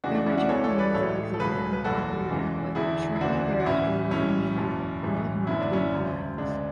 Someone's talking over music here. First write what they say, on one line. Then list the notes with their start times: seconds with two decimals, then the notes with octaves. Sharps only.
The original name was Alexander, Incorporated but shortly thereafter was renamed World Marketing Alliance.
0.04 E2 C#3 E3 G#3 D4 F#4
0.15 D4 F#4
0.26 C#4 E4
0.37 D4 F#4
0.49 C#2 C#3 E3 G#3 A4 C#5
0.64 A4 C#5
0.79 B4 D5
0.94 A1 A2 G#3 A4 C#5
1.34 A4
1.40 C#2 B2 F#3 G#4 B4
1.73 B4
1.84 F#1 E2 B2 F#3 F#4 A4
2.30 E2 C#3 E3 G#3
2.75 E1 E2 D3 E4 G#4
3.16 E4
3.21 D2 C#3 E3 D4 F#4
3.60 F#4
3.66 A1 A2 E3 C#4 E4
4.11 B1 A2 E3 G#3 C#4 E4
4.57 F#1 E2 B2
5.02 B1 A2 E3 G#3
5.47 F#1 F#2 D3 F#3 E4
5.60 D4
5.73 C#4 E4
5.92 E1 D2 C#3
6.38 D2 C#3 G#3 D4